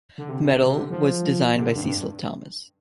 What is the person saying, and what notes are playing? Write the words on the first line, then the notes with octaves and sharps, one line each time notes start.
The medal was designed by Cecil Thomas.
D3
C3
C3
C3
C3
D3
F3
C3
D3
G2
F2
G2